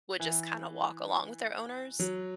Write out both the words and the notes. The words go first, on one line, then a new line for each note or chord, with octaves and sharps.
would just kind of walk along with their owners.
E3
F#3